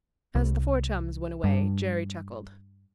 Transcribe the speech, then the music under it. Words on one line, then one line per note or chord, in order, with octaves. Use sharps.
As the four chums went away, Jerry chuckled.
C2
G2